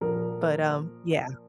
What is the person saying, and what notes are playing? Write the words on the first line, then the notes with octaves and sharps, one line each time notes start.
But, um, yeah.
A#2 F3 A#4